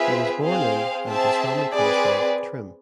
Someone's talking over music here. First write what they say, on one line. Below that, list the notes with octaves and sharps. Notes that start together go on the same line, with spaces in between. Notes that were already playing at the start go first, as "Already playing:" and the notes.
He was born in and his family comes from Trim.
Already playing: C4 F4 G#4 B4 E5
C4 G#4 C5 F5
C4 G#4 C5 E5 A5
C4 G#4 B4 D5